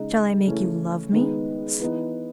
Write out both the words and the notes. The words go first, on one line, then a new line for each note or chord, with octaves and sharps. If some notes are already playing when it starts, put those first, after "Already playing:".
Shall I make you love me?...
Already playing: C#3 G#3 D#4
C#3 E3 A3 C#4 E4
D#3 G#3 B3 D#4
E3 B3 D#4